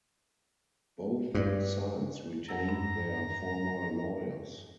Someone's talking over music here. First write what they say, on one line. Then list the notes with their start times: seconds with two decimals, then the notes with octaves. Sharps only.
Both sides retained their former lawyers.
1.35 G2
2.49 F2 F#5 A#5 E6
2.69 G2 D4